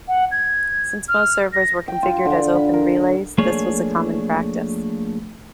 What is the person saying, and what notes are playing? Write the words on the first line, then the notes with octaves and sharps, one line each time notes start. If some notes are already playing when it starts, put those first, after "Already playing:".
Since most servers were configured as "open relays", this was a common practice.
F#5
G#6
F6
A#6
G5
F4
D3
B5
A#4
F3 A3 A#3 D4 G#4 C#5